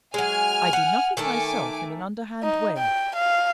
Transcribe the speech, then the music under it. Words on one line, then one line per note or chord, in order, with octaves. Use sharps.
I do nothing myself in an underhand way.
F#3 G#3 G#5 F6
F#5
D#3 A3 A4 G#5 D6
D#4
G5
F5